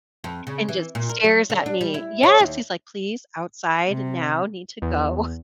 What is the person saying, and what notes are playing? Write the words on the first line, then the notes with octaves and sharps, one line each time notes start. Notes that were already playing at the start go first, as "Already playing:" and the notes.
and just stares at me. Yes, he's like, "Please, outside now, need to go."
F2
C#3
E3
A#2
A#4
F#3
D3
D4
G3
E4
C#5
D#2
C3
E2